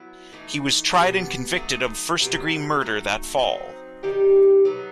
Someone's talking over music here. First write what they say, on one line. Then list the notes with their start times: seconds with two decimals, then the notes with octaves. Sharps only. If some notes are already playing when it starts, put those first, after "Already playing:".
He was tried and convicted of first degree murder that fall.
Already playing: F#3 B3 E4
0.33 E3 A3 D#4
0.95 B2 G3 B3
1.56 F#3 A3 D#4 A4
2.18 C3 F#3 B3 E4
2.79 F#3 A3 D#4 A4
3.42 F#3 C4 D#4
4.03 D#3 G3 D#4 G4
4.65 F#3 B3 D#4